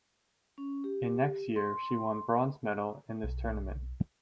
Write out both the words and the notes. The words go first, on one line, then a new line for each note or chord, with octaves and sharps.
In next year she won bronze medal in this tournament.
C#4
G4
C6
B1